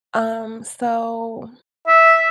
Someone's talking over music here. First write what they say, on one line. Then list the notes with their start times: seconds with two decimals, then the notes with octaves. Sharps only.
Um, so
1.87 E5